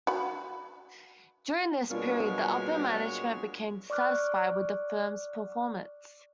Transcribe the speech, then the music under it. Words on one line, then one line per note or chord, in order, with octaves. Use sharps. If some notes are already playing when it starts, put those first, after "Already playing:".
During this period, the upper management became dissatisfied with the firm's performance.
F#4 B5
B2 G3 G#3 A#3 D4 F4 F#4 C#5
D5 C#6 D6 F6 F#6